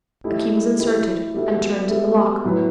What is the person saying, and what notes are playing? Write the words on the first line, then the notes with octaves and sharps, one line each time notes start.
A key was inserted and turned in the lock.
A3 E4 G4 D#5
A3 E4 G4 D#5
G3 B3 F#4 A4 E5
G3 B3 F#4 A4 E5
A2 F#3 B3 E4 B4